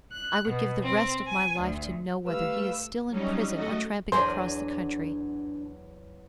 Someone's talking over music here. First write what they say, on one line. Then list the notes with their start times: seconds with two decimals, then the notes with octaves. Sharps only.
I would give the rest of my life to know whether he is still in prison or tramping across the country.
0.12 F#6
0.48 B2
0.82 C4
1.27 G#5
1.61 D2
2.26 G3 A3 B4 F5 E6
3.09 F#3 G3 C#4 D#4
3.53 A3 F#4 A4 D#5
4.12 E2 F#3 D4 G#4 C5 G#5